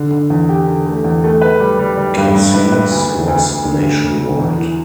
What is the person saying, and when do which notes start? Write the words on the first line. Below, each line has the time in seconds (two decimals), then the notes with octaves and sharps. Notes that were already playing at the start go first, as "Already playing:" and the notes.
Khasim's was nationwide.
Already playing: D3
0.12 D3
0.30 E2
0.49 G4
0.67 D3
0.87 A3
1.05 E2
1.24 A3
1.42 B4
1.60 G3
1.79 G3
1.97 G3
2.17 G2
2.35 G2
2.54 B4
2.72 B4
2.91 D2
3.09 D2
3.28 D2
3.46 D2
3.64 D3
3.83 D2
4.02 D2
4.20 D3
4.39 E2
4.57 E3